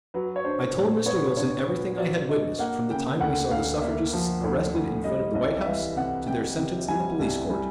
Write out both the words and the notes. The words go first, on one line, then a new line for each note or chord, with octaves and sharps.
I told Mr. Wilson everything I had witnessed from the time we saw the suffragists arrested in front of the White House to their sentence in the police court.
F#3 B4
C#5
D4 C5
A#2
B3 C#5
D4 C#5
B3
F#3 D5
D4 D#5
A#3 F#5
C#3 G5
D2 F#5
D2 F5
A#3 E5
F3
D2
D2
G3 D#5
C2 D#5
E5
E3 F5
C3 F#5
C3 G5
C3
G3 G#5
C2
G3